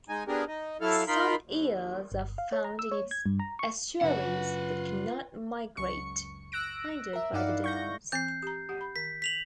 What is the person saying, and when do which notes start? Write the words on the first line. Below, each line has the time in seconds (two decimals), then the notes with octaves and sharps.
Some eels are found in its estuaries, that cannot migrate, hindered by the dams.
0.09 G#3 D#4 G#5
0.28 B3 D4 G4 G#4 A#4
0.48 D#4 D#5
0.81 F#3 E4 A4 F5
1.08 D#4 F4 A#4 B5 C6
1.45 D#2
2.12 G1
2.38 F5
2.52 C#5
2.64 A#5
2.79 E6
2.91 C#5
3.11 G#6
3.26 G2
3.39 A#5
3.59 C#6
4.01 F#2 C#3 D4 F4 B4 F#5
5.77 C#2 F#2 C#6 C#7
6.52 E6 F#6 A#6 D7
7.13 A#4 E5
7.33 G2 D#4 E4 D5 F5 F#5
7.64 C#6 G6 A#6
8.12 E3 C4 G6 C7
8.43 G4 A#5
8.69 G4 F#5
8.81 B5
8.96 D#3 B6
9.22 B6 F7 F#7